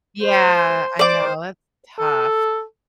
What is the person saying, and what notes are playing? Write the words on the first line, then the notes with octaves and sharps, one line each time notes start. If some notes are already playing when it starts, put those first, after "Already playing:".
Yeah, I know, that's tough.
C5
C5 D5 D6
A4